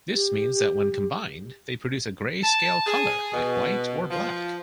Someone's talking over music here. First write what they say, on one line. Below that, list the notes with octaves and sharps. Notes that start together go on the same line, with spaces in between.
This means that when combined, they produce a gray-scale color like white or black.
G4
A5
G#4
B2
F3